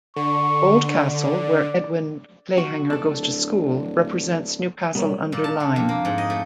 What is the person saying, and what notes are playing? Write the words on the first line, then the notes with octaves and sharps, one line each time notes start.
Oldcastle, where Edwin Clayhanger goes to school, represents Newcastle-under-Lyme.
D3 C#6
D5
F#4
D1 D4 A4
B2 G3 A#4 C#5
A#2
A5
D3
F2
A#3
G#2
D#5
A3